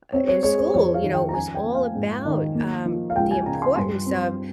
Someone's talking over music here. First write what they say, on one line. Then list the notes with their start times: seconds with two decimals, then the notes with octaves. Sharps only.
uh, in school, you know, it was all about, um, the importance of
0.12 C4 C#5
0.28 C#5
0.43 G#3 C#5
0.58 C5
0.74 F2 C#5
0.94 F5
1.03 D#3
1.14 G5
1.29 A#5
1.34 C#4 G#5
1.55 G5
1.64 A#3
1.75 F5
1.95 G#2
2.25 D#3
2.55 A#3
2.86 F3
3.10 F5
3.16 C#2 G5
3.31 G#5
3.46 C#3 A#5
3.62 C6
3.76 G2 C6
4.06 C4